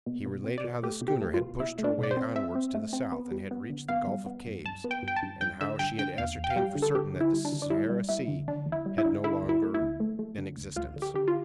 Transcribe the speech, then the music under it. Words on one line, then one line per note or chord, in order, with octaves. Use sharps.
He related how the schooner had pushed her way onwards to the south, and had reached the Gulf of Cabes; and how she had ascertained for certain that the Sahara Sea had no longer an existence.
B2
B2
C4
D5
B2
A3 G4
B2
G4
A3
F4
B2
B2 E4
A3
D4
B2
D5
C5
C4
C4 E5
C4
A3
C4
B3
G3
B3
D3
B3 F5
G3
B3
G2
G2 A5
B3
G5
G2 G5
A5
G2
G2 G5
D3 E5
G2 G5
D3 G5
E2 F5
E2
G5
F5
G3 G5
D3
A4
D3 G4
D3
E4
G3
D4
D3
D4
G3 E4
G3
G3 E4
D3
D3 D4
E2
E4
G3
E4
D3
D3 E4
D2
E4
A3
E4
D2
A3
A3
D3
D2
D2 F4
D3
G4
D3 G4
F4